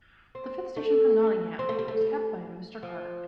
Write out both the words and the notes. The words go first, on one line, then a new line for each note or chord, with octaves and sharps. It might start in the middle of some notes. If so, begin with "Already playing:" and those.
The fifth station from Nottingham, it was kept by a Mr. Carter.
C4
A3
C4
A3
G3
A3
G3
F3